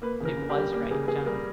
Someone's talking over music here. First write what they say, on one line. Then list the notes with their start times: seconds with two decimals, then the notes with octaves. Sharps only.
And it WAS right, John!
0.02 A#3 B4
0.20 C#3 A#4
0.37 C#3
0.50 G4
0.55 G3
0.73 A#3 G4
0.91 C#3 G#4
1.08 C#3 G#4
1.26 G3 A#4